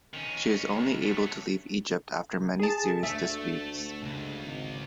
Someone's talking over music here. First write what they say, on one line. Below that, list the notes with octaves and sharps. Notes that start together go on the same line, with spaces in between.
She was only able to leave Egypt after many serious disputes.
D#3 C#4
C#2
F#3 A3
G#4 A5
D2 A3 E5
C#2
G#1